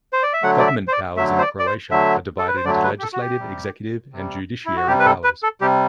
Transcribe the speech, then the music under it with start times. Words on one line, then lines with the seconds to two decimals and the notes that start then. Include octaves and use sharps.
Government powers in Croatia are divided into legislative, executive and judiciary powers.
0.13 C5
0.23 D5
0.33 E5
0.43 D3 F#3 A3 F#5
0.59 D5
0.67 E5
0.88 C5
0.92 D5
1.17 D3 F#3 A3 E5
1.38 C5
1.42 D5
1.59 D5
1.66 C5
1.91 D3 F#3 A3 E5
2.38 A4
2.48 B4
2.56 C5
2.64 D3 F#3 A3 D5
2.83 B4
2.98 G4
3.02 A4
3.13 F#4
3.21 G4
3.39 C3 G3
4.13 C3 G3
4.65 E4
4.76 F#4
4.87 C3 G3 G4
5.00 B4
5.05 A4
5.24 B4
5.43 A4
5.61 C3 G3 G4